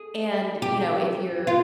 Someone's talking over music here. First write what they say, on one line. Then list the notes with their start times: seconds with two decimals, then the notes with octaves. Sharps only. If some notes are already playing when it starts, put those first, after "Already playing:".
And, you know, if you're
Already playing: G#4
0.62 G4
1.47 F4